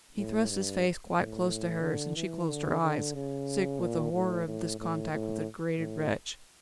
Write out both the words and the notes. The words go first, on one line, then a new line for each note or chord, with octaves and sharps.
He thrust his face quite close to hers, and she closed her eyes, sick with the horror of this contact with the degraded wretch.
A2
G2
A2
D3
E3
D3
D3
C#3
A#2
A2
A2
A2
A2
A2